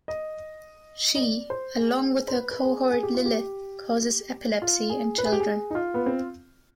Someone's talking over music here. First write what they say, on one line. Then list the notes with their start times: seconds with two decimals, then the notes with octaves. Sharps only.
She, along with her cohort Lilith, causes epilepsy in children.
0.08 D#5
1.15 D#5
1.21 D5
1.50 C5
1.78 G#4
2.28 C5
2.34 B4
2.51 B4
2.64 G#4
2.92 G#4
3.03 G4
3.15 F4
3.26 G4
4.62 F4
4.90 G#4
5.18 B4
5.25 G#4
5.32 G4
5.40 G#4
5.71 D#4
5.75 F4
5.94 B3
6.06 C4